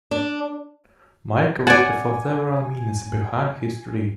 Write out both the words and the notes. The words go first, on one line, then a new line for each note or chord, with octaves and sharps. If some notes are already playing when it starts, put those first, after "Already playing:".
Mike waited for several minutes behind his tree.
D4
D5 F#5 G#5 A5